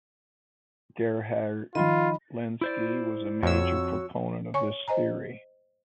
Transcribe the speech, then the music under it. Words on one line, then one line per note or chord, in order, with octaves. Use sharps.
Gerhard Lenski was a major proponent of this theory.
D#3 F3 F4 D#5 B5
E4 C5 D5
F2 F#4 C#5 E6
C#5 G#5 C#6
C5 D#5 G#5 A#5